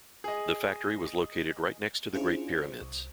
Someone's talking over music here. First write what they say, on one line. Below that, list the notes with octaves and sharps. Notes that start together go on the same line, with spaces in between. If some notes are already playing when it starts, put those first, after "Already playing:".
The factory was located right next to the Great Pyramids.
G#4 D#5
C#4 D4 E4 F4 G#4 C5
C2